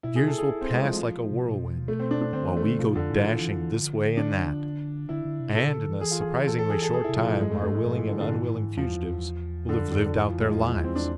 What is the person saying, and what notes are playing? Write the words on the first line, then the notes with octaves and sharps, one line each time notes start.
The years will pass like a whirlwind--while we go dashing this way and that, and in a surprisingly short time our willing and unwilling fugitives will have lived out their lives.
B2 E4
C3 G#4
A4
G#4
E4
C4
G#3
F3
F3
C3
B2
A3
C4
D4
D4
D3 C4
E3
A3
D3
C3 F3
F2 D3
A2 E3
F3
E3
E3
D3
D4
D3 E4
D3
C3
B2 A4
B2
D3
E3
E3 G#4
F4
G#4
A4
A4
G#4
A4
G#4
C3 E4
F3
B2 E3
G#2 G#3
A3
F2
A3
G#2 G#3
G#2 F3
E3
D3
D3
E3
E2 F3
F2 D3
D3
D3
E3
F3
G#3
F2 F3
E2 E3
E3
C4
D4